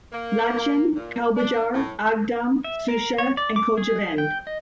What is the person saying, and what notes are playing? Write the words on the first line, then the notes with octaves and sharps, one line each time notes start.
Lachin, Kalbajar, Agdam, Shusha and Khojavend.
A#3
A#2
D4
A2
E5
A#4
C#5
D5
D6
G#4
G5
D#5